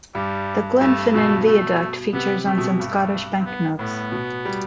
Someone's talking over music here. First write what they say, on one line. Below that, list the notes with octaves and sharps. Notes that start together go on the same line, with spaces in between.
The Glenfinnan Viaduct features on some Scottish banknotes.
G2 G3
G2 A3
B2 A3
A3
C3 B3
C3 A3
B2
G2 A3
C4
B3
A2 B3
B2
G3